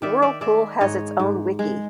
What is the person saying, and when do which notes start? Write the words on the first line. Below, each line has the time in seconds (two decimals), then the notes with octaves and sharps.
Whirlpool has its own Wiki.
0.02 D#3 D5 E5
0.22 D5 E5
0.41 G#3 D5 E5
0.81 G#2 C#5 D#5
1.19 G#2
1.59 G#3